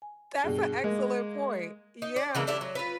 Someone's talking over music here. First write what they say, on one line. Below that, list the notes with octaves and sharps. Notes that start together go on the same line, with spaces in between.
That's an excellent point. Yeah.
G#5
G2 B2 G#4
G#3 A#3
D#4
D5
C#3 E3 G#3 A4
A3 D4 E4 G4
F#3
F4 B4